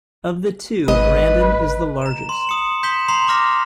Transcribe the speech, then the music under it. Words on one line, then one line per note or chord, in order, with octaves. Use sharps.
Of the two, Brandon is the largest.
G#1 B4 D#5
A#5 E7
C6 E7
D#6 C#7 F#7
C6 G6 B6 E7 G7
A#5 C6 C7 F7
A#5 D6 F6 A#6